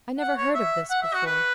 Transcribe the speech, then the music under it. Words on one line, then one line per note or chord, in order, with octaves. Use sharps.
"I never heard of this before."
F#5
C#5
E5
F#5
E5
F#4
B4